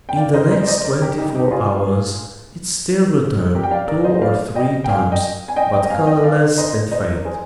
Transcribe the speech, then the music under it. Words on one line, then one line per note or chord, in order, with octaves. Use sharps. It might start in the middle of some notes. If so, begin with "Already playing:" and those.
In the next twenty-four hours, it still returned two or three times, but colorless and faint.
G5
D5 F5
C5 D#5
C5 D#5
D5
C5 D#5
A#4 D5
G4 A#4
D#4 G4
D#4 G4
F4 G#4
G4 A#4
G5
D5 F5
A#4 D5
C5 D#5
D5 F5
D#5 G5
G5
F5 G#5
D#5 G5
G#5
D#5 G5
D#5 G5
F5 G#5
D#5 G5
D5 F5
C5 D#5
C5 D#5
A#4
G#4 C5